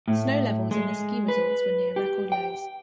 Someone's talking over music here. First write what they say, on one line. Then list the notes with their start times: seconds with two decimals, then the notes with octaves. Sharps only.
Snow levels in the ski resorts were near record lows.
0.08 A2
0.71 G#3
1.28 B4
1.96 G4
2.32 G5